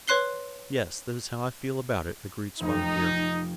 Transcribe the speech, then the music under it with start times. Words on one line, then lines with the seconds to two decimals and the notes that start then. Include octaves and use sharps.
"Yes, that is how I feel about it," agreed Spotted Deer.
0.08 B4 C#5 C6 F#6 C7 G7
2.60 F1 D#4